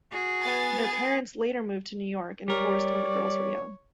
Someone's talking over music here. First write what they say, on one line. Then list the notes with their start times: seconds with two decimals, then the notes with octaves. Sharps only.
Their parents later moved to New York and divorced when the girls were young.
0.11 F#4 G#4
0.42 B3 G#5 A6
0.81 G#4
2.48 G3 A#4 C#5 D5